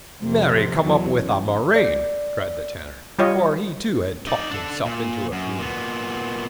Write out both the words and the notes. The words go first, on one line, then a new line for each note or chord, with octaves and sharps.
"Marry come up with a murrain!" cried the Tanner, for he, too, had talked himself into a fume.
F2 C3
E2 F#3
C#4
D5
G3 F4 C#5 D#5
D#4 D5
D4 A4
A#2
F#2
A#2 B3